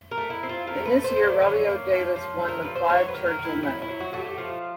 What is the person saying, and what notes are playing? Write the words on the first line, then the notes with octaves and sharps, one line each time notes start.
In this year Robbie O'Davis won the Clive Churchill Medal.
A#4
A3
E4
C4
F4
A3 A#4
B4
A3
C5
F#3
D5
D3 C#5
A#3
F3
F3
D3
A#4
F3 B4
C5
F#3 C#5
B4
D#3
A#4
D#3
E4
F#3 E4
E4
F#3
F#4
A3 F#4
G4
F3 F4